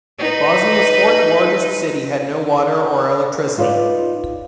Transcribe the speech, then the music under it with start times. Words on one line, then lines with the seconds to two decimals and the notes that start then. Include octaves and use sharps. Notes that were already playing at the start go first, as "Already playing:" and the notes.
Bosnia's fourth-largest city had no water or electricity.
0.18 D#4 B4
3.57 D#4 F4 B4 C5 D5